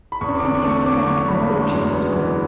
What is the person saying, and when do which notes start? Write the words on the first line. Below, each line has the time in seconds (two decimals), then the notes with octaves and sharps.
Who can take me back, if I don't choose to go?
0.12 B5
0.21 E2 C#6
0.37 D6
0.43 D3
0.54 C#6
0.65 A3 C#6
0.86 C#4 D6
1.07 D3 C#6
1.28 E2 B5
1.50 G#3
1.72 F#2
1.93 B3
2.15 E3